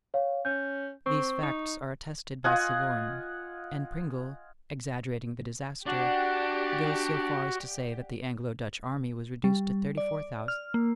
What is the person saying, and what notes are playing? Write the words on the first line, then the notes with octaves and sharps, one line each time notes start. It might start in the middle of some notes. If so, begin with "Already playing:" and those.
These facts are attested by Siborne; and Pringle, exaggerating the disaster, goes so far as to say that the Anglo-Dutch army was reduced to thirty-four thousand men.
C#5 F5
C#4 G6
C4 C#6
D#4
F4 D#5 F#5 G#5
D4 F#4 G4 D5 F#5
G3
D5
F6
A#3